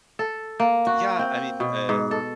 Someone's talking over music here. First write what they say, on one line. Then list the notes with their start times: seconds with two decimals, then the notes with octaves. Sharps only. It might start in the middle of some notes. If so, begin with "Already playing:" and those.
yeah, I mean, uh,
0.19 A4
0.60 A#3
0.87 F#4
1.19 C4
1.60 B2
1.89 G#2
2.11 A4